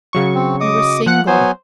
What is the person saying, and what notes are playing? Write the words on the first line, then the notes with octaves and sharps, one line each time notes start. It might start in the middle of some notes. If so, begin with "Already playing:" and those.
You were single.
C#3 F#3 C#6
C4
D#5 D6 D#6
F3 F#5 F#6
F#3 B3 C5 G#5